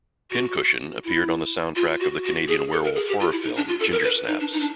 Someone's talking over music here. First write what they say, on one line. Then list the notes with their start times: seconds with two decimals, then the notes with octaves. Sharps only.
"Pin Cushion" appeared on the soundtrack of the Canadian werewolf horror film Ginger Snaps.
0.31 F#4
1.04 E4
1.76 F4
2.00 F#4
2.24 F#4
2.48 G#4
2.72 A4
2.84 A#4
2.96 G#4
3.09 G4
3.20 F4
3.32 E4
3.45 D#4
3.56 D4
3.68 F4
3.80 A4
3.92 A#4
4.03 B4
4.28 D#4
4.40 D4
4.53 D#4
4.60 D4